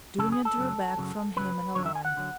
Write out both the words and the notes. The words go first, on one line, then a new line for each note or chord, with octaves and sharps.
Dounia drew back from him in alarm.
F#2 C#3 F#3 A4
G#4
A4
F#2 C#3 F#3
F#2 C#3 F#3
F#2 C#3 F#3 B4
F#2 D3 F#3 C#5
E5
G#5
F#5
D3 F#3